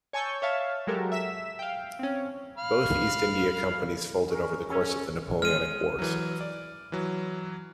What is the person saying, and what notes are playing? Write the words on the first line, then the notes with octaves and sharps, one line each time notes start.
Both East India Companies folded over the course of the Napoleonic Wars.
C#5 G#5 A5 C#6 E6 G6
C#5 E5 F5 A5
F#3 G#3 F#4 G4 A4 A#4
E5 B6 E7
F5 G5
C4 C#4
F5 B5
C#4 A#4
C#4 G#4 A4 G#5
G#3 F6 D#7
E3 F#3
D5
E3 F#3